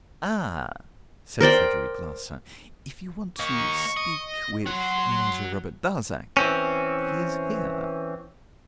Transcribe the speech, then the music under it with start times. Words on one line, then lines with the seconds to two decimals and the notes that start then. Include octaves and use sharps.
"Ah!" said Frederic Larsan, "if you want to speak with Monsieur Robert Darzac, he is here."
1.41 A#4 C5 D5 G5
3.39 A#3 D#4 C#6
3.97 D#5
4.66 F#3 F#5 C6
6.37 E3 C4 C#4